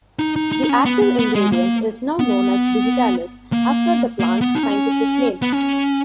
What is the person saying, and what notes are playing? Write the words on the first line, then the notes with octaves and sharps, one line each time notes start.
The active ingredient is now known as digitalis, after the plant's scientific name.
D#4
D#4
D#4
D#4
C#4
B3
B3
B3
G#3
A#3
B3
A#3
A#3
B3
D#4
C#4
B3
C#4